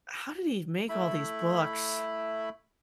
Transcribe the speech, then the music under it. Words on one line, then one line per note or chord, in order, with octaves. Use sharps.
How did he make all these books?
A3 E4 B5